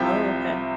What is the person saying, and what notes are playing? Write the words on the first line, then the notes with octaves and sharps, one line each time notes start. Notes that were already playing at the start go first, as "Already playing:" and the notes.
Oh, okay.
Already playing: C2 C3 F3 E5 G5